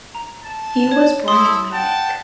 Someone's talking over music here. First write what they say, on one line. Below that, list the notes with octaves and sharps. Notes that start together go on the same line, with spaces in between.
He was born in Munich.
A#5
A5
C#5
E4 A4 C6 D#6
F#5 G5 A5